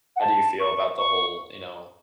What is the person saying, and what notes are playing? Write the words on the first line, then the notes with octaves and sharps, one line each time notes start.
how do you feel about the whole, you know,
F#5
A5
C#6
C#6